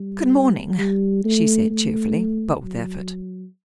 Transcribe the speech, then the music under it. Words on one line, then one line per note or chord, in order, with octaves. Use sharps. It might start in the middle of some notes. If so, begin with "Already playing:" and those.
"Good morning," she said, cheerfully, but with effort.
Already playing: G3
G3
A3
A3
F#3